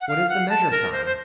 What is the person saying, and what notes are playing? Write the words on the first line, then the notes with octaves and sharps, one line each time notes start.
"What is the measure-sign?"
F#5
F5
F#5
A5
A#4
C5
C5